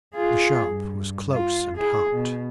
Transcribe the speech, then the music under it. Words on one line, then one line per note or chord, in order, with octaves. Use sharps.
The shop was close and hot.
F4 G#4
G2
F4
E4 G#4
B2